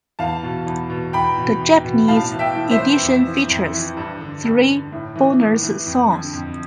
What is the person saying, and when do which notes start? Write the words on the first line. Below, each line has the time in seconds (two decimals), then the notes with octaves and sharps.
The Japanese edition features three bonus songs.
0.19 E2 F5 A5
0.43 B2
0.67 E2
0.90 B2
1.13 E2 G5 B5
1.38 B2
1.61 E2
1.84 B2
2.08 A2 F5 A5
2.32 E3
2.39 E5 G5
2.55 A2
2.71 C5 E5
2.78 E3
3.02 F2
3.26 E3
3.50 F2
3.73 E3
3.97 G2
4.21 D3
4.44 G2
4.69 D3
4.92 A2
5.16 E3
5.39 A2
5.63 E3
5.87 F2
6.10 D3
6.33 F2